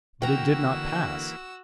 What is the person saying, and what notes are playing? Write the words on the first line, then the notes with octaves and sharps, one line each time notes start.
But it did not pass.
D3 E3 A#3 F#4 G5 A#5 E6